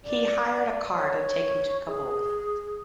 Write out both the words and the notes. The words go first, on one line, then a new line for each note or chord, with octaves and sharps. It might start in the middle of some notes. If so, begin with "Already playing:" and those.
He hired a car to take him to Kabul.
D5
C#5
G#4